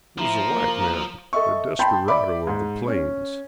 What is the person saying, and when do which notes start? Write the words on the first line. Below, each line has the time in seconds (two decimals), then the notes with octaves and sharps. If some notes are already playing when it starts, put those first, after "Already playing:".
It was a white man--a desperado of the plains.
0.18 F3 E4 A#5
0.49 A#3
1.33 A4 D#5 E5 C#6
1.79 G5 A5 B5 C6 G6
2.08 D5 E5 B5 D6
2.47 G#2
2.88 C#4